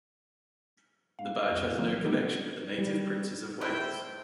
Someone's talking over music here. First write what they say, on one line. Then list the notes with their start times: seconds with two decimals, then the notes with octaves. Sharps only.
The badge has no connection with the native Princes of Wales.
1.19 F5
1.51 C2 F2
1.77 D#3 E3 F#3 A#3 C4
2.04 G#3 B3 D#4 G4 A4
2.78 G3
3.61 A2 E4 C5 G5